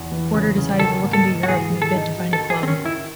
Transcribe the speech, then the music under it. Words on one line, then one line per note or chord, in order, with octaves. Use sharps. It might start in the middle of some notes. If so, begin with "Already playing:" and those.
Porter decided to look to Europe in a bid to find a club.
Already playing: E2
E3
C#3
C#3
D#3 A4
G#2
A4
G#2
F#4
E3 G#4
G#4
A4
D#4
F#3
A4
D#3
G#4
D#3 C4
C#4
D#3 E4